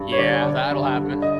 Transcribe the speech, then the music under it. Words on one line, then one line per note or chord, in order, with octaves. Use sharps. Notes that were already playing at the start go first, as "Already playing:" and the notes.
Yeah, that'll happen.
Already playing: G2
C#5
D3 D5
D3
G2
D3
D#5